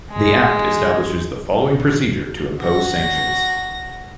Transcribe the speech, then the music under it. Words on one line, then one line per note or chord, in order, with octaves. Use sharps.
The act establishes the following procedure to impose sanctions.
G#3
F#4 A#6